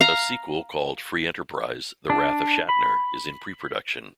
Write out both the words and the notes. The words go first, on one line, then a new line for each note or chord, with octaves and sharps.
A sequel called ""Free Enterprise: The Wrath of Shatner"" is in pre-production.
F5 A#5
D4
B5